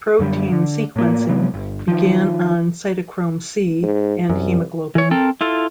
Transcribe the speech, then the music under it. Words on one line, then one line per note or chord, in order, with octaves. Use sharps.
Protein sequencing began on cytochrome C and Hemoglobin.
F#2 D3 G3
D3
A2 A#3
C3 F#3 G#3 B3
G1
D#3 F3
G#2
C2 F#2
E3 C#5
C4 A4 A#4
E4 F4 A4